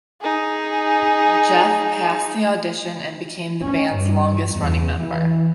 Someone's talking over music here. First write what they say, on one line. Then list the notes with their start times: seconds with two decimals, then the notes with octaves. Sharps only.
Jeff passed the audition and became the band's longest-running member.
0.21 D#4 G#4
3.65 C#4
3.96 G2
4.58 E2
5.01 E3